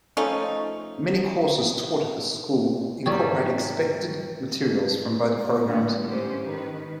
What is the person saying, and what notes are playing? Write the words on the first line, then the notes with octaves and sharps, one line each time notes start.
Many courses taught at the school incorporate expected materials from both programs.
F3 A3 C#4 D#4
G#2 F#3 G3 G4 C#5 D5
G#3
A2 D3 G3 B3
G#2 E3 C#4 G4 C5
D#3 B4